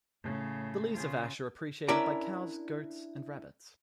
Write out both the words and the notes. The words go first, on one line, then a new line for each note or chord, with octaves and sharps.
The leaves of ash are appreciated by cows, goats and rabbits.
A2 C#3
C#3 F4
C#4 D4 E4 A#4 D5 A#5